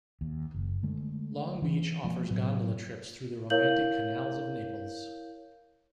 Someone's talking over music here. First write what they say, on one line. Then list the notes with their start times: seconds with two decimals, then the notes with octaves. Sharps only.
Long Beach offers gondola trips through the romantic canals of Naples.
0.21 D#2
0.54 F#1
0.83 D3 G#3 A3
1.62 E3
2.04 F3 G#3 A#3
2.31 A2 F#3 B3
3.50 E4 A#4 C#5 F5 G6 F#7